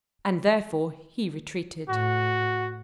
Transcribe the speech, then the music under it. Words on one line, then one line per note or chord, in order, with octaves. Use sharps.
And therefore he retreated.
A2 F#4